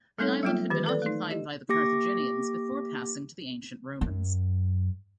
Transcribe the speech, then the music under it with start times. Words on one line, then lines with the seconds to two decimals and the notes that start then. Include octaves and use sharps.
The island had been occupied by the Carthaginians before passing to the ancient Romans.
0.19 G3 A3 C4 D#4 A4 C#5
0.43 F#3 G3 A#3 F4 G5
0.70 D#3 E3 G4 B4
0.86 A4 B4 D5
1.02 A3 D#4
1.31 G4 D#5
1.69 A#3 G4 D6 A#6
4.01 F#2